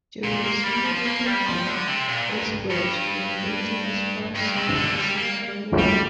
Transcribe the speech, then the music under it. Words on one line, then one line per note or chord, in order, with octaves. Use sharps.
During the summer and winter, these birds may venture as far south as Nicaragua.
A#2
A#3
G3
F3
A#3
G3
F3
D3
C3
A#2
G2
G2
G2
C3
D3
A#3
G3
A#3
G3